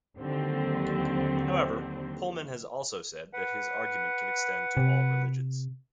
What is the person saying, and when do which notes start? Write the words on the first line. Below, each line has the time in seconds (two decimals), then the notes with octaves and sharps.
However, Pullman has also said that his argument can extend to all religions.
0.18 D#2 D3 F#3 C4
3.33 B4 F#5
4.77 C3